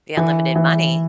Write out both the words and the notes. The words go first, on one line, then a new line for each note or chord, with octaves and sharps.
The unlimited money,
E3
E3